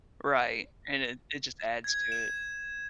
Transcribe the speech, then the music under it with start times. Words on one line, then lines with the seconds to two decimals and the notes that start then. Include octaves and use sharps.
Right, and it it just adds to it.
1.84 G#6
2.12 E7